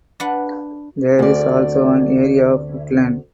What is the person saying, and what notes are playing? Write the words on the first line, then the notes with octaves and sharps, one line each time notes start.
There is also an area of woodland.
D4 B4 F#5
D2 D5